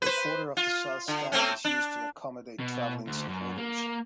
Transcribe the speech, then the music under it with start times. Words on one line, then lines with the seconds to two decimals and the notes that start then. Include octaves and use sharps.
A quarter of the South Stand is used to accommodate travelling supporters.
0.02 B4 C5
0.57 F4
1.08 D3
1.32 A3 C4 C#4
1.64 D4
2.60 B2
3.07 D2
3.29 F#2
3.58 A#3